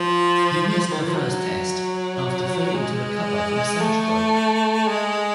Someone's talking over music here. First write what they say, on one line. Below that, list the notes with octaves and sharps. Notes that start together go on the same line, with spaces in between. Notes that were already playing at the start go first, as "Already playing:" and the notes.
He missed the first Test, after failing to recover from sunstroke.
Already playing: F3
D#3
E3
F3
F#3
G#3
A3
G#3